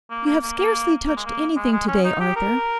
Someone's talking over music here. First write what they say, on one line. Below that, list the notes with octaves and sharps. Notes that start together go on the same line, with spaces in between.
You have scarcely touched anything to-day, Arthur.
A#3
A#3
A#3
A#3
A#3
G#3
A#3
G#3
G#3
C#4
D#4
G4
A#4